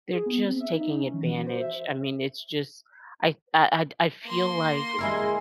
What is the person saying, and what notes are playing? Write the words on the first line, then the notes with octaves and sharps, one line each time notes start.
they're just taking advantage, I mean, it's just, I I I feel like
G#4
B3
C4
E5
D#4
C#4
E3
F#4
C5
E5
A#3 C6
G#3 E4 A#4